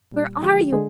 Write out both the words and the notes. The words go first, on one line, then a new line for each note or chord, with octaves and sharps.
Where are you?
A#2 G3
D3 F3 G#3 G4
D3 G#3 G#4